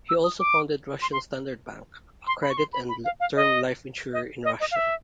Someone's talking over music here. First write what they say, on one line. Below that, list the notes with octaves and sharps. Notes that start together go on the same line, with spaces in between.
He also founded Russian Standard Bank, a credit and term life insurer in Russia.
E6
D#6
D6
C6
C6
C6
B5
C#6
C6
B5
B5
F5
F5
D#5
D#5
D#5
D#5
F5
E5